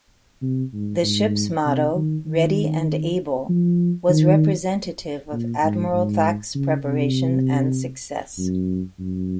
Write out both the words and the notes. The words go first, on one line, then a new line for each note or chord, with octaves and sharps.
The ship's motto, "Ready and Able," was representative of Admiral Thach's preparation and success.
C3
G#2
G#2
C3
D#3
D#3
F3
D#3
A#2
G#2
G#2
C#3
C3
F#2
F#2